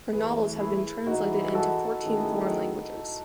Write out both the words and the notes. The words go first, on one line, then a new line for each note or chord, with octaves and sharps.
Her novels have been translated into fourteen foreign languages.
F#2 E3 A3 G#4 B4
E4 G#4
G#2 E3 G#3 D#4 F#4
F#4 A4
D#3 A3 C#4 E4 G#4